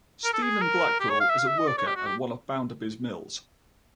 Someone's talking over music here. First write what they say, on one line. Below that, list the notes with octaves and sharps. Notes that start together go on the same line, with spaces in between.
Stephen Blackpool is a worker at one of Bounderby's mills.
A#4
A4
G#4
A#4
G4
C#5
F5
E5
F5
E5
D#5
D5
C#5
G4
F#4
G4